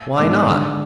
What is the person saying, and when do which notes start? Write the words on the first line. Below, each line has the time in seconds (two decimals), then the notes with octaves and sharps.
"Why not?"
0.18 G#2 G#3 B3 D4 D6
0.47 D3 G#3 D4